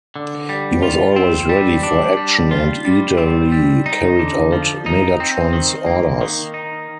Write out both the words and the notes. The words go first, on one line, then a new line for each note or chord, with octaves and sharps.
He was always ready for action and eagerly carried out Megatron's orders.
D3
G3
F4
C4
G3
D4
G3
F4
G3
C4
G3
D#4
D3
F3
D#4
C4
D#3
A#3
D#3
D#4